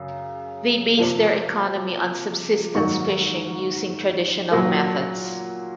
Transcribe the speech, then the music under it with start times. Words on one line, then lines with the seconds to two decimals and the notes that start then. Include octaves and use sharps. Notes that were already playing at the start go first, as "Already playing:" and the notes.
They base their economy on subsistence fishing using traditional methods.
Already playing: F#2 C#3
0.97 F2 C3 F3 A#3
2.74 G#2 D#3 F#3 A#3 C#6
4.51 A#2 F#3 A#3